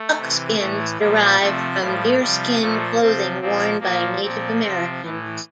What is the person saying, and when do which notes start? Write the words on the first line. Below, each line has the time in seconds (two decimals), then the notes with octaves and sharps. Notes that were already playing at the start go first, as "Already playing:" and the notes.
Buckskins derive from deerskin clothing worn by Native Americans.
Already playing: A3
0.17 C3 E3
0.57 A2 E3 A3
0.98 A#2 F3 G3
1.38 C3 F3 A3
1.78 A2 F3 G3
2.19 C3 F3 G3
2.59 A#2 F3 A3
2.99 C3 F3 C4
3.40 A#2 F3 C4
3.80 A#2 F3 A#3
4.20 A#2 F3 C4
4.60 C3 F3 C4
5.01 A2 E3